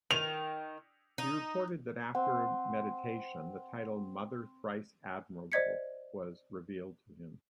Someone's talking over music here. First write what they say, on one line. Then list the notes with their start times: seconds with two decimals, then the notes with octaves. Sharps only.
He reported that after meditation, the title "Mother Thrice Admirable" was revealed to him.
0.11 D#3 F7
1.18 D#4
2.15 C4 F#5
5.52 C5 D5 D#5 G#6 B6 C#7